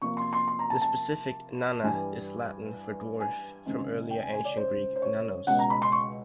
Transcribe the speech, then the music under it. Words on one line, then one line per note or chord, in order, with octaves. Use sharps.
The specific "nana" is Latin for "dwarf", from earlier Ancient Greek "nanos".
C3 F3 A#3 C#6
C6
C6
C6
A#5
A5
A5
G2 E3 G3 G#5
G#5
C#2 C3 D#3 G#3 C4
G5
G#5
G#5
D5
C5
C5
C#5
C#2 B2 G#3 F#5
A#5
B5
C6
C#6